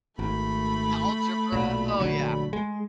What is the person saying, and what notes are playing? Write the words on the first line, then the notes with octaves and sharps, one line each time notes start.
Algebra, oh yeah,
G#1 A3 B5
B1 A#2
A#1 D3 F#3
G#3